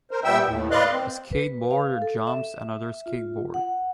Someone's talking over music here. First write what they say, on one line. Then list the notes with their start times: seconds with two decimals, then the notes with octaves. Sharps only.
A skateboarder jumps another skateboard.
0.11 A#4 C5
0.24 A#2 G3 B3 E5 G5 E6
0.46 D#2 A2
0.71 B4 D5 D#5 F5 C6 F#6
0.92 C4
1.32 B4
1.71 F5
2.02 A4
2.27 E5
3.06 F4
3.54 F#5